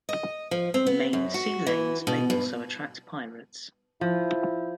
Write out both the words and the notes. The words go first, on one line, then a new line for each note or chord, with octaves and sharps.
Main sea lanes may also attract pirates.
D#5
F3
C4
B3
F#2
F#4
E3
B2
G2
F3 E4